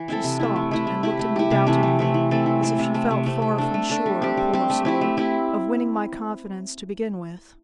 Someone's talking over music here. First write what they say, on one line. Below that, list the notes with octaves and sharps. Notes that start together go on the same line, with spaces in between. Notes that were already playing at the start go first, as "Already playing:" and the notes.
She stopped, and looked at me doubtingly, as if she felt far from sure, poor soul, of winning my confidence to begin with.
Already playing: E3
C4 E4 A4
C3
A3 E4
C3
A3 E4
A3
E4 G4
A3
E4 G4
C3
E3 A3 C4
C3
E3 A3 C4
E3
A3 C4 A4
E3
A3 C4 A4
C3
A3 C4
C3
A3 C4
A3
D4 A4
A3
D4 A4
G3
C4 G4
G3
C4 G4
A3
C4 E4 G4
A3
C4 E4 G4